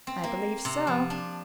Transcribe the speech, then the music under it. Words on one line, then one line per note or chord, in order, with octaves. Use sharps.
"I believe so."
C4
A#3
C3
F3
D4